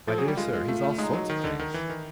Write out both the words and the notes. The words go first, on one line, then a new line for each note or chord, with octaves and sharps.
'My dear sir, he's all sorts of things.'
F3 A4
F#3 G#4
G3 G4
G#3 F4
G#3
A3
A3
G#3 D#4
F#3
D#3
D3
D#3
E3
D#3